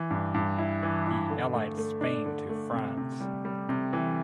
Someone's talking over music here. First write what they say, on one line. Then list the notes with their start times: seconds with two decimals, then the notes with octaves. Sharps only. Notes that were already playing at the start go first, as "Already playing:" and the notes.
He allied Spain to France.
Already playing: E3
0.10 G2
0.34 G2
0.58 E4
0.83 E3
1.07 E4
1.30 D3
1.54 A3
1.78 A3
2.01 D4
2.26 D3
2.49 A3
2.73 C3
2.97 C3
3.20 G3
3.45 G3
3.69 C3
3.93 E3